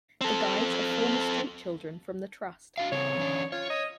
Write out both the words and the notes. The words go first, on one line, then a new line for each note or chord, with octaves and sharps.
The guides are former street children from the trust.
C4 A4
D4 F#4 F5
C#3 C4 A4 C#5
E3 C#4 D4
F4 C#5
D#5